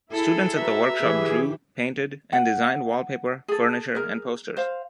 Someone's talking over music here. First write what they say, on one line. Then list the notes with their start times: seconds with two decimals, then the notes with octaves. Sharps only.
Students at the workshop drew, painted and designed wallpaper, furniture and posters.
0.12 E4 G#4 A4
0.56 F#4 B4 E5 A#5
1.01 E3 G4 G#4 B4
2.33 F#5
3.48 G#4 A4
3.95 G#4 A#4
4.57 C5 F5